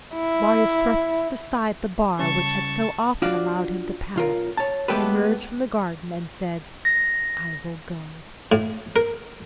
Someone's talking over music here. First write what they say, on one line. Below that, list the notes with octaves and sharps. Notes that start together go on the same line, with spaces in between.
Marius thrust aside the bar which had so often allowed him to pass, emerged from the garden, and said: "I will go."
E4
C#3 G3 C#4 A5 C#6
D4 F4 F#4 D5
B1 F4 A#4
C#5 A5
G#3 A3 B3 G4 A4 B4
A#6
A2
A#4